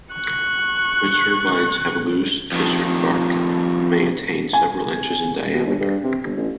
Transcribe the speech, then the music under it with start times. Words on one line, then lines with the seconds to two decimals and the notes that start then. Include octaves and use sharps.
Mature vines have loose, fissured bark, and may attain several inches in diameter.
0.14 C#6 F#6
2.52 F2 D#3
4.53 G#5
5.54 B2
5.66 G1
5.80 G2
6.04 C3
6.24 G1
6.37 A1